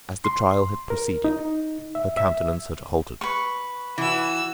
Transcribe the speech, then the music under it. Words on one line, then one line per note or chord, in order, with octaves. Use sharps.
As the trial had proceeded, her countenance had altered.
C6
A#4
D#4
E5
E5
B4 C#6
E3 F#4 E6